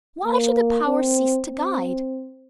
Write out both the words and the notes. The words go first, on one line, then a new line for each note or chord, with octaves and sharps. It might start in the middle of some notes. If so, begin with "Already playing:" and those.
Why should the Power cease to guide?
A#3
C4
C4